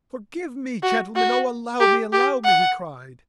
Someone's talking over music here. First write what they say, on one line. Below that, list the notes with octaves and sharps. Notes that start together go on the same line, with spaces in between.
"Forgive me, gentlemen, oh, allow me, allow me!" he cried.
F#4
F#4
G4
G4
F#5